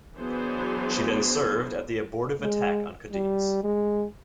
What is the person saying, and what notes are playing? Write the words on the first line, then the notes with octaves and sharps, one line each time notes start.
She then served at the abortive attack on Cadiz.
E3 F#3 B3 D4 G#4 C5
G#3
G3
G#3